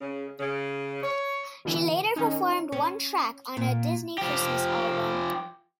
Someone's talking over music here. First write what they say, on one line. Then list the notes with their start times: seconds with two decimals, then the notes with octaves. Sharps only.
She later performed one track on a Disney Christmas album.
0.01 C#3
0.39 C#3
1.03 C#5
1.65 B2 D3 E3
2.16 D#3 C#4 D#4
2.72 C#4
3.57 A#2
4.18 F3 G4